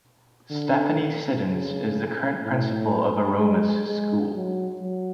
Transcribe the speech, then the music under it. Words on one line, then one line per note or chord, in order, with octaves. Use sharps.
Stephanie Siddens is the current principal of Aromas School.
D3
C#3
A2
G#3
G#3
F#3
F#3